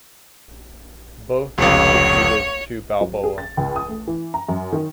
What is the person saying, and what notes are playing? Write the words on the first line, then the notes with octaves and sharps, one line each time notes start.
Both then proceeded to Balboa.
F1 C#2 C#5
F#3
G#4
A6
C#2
D#6
A3
E3
A#5
F#2
D#3